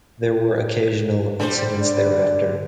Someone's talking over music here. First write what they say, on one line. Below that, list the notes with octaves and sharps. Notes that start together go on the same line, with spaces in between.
There were occasional incidents thereafter.
D3 G3 C5
D5